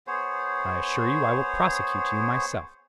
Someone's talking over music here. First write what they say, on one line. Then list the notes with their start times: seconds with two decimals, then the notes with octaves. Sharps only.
I assure you I will prosecute you myself.
0.07 B3 G#4 C5 C#5